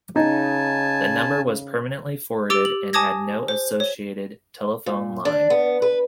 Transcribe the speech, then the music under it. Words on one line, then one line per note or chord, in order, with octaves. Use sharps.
The number was permanently forwarded and had no associated telephone line.
C#3 D#4 G#5 A5
G4 D6 E6 A6 D7 G7
F#7
G#5 A5 D6 D#6 G#6 A#6
C5
C#5
A#2
D4
B3
B4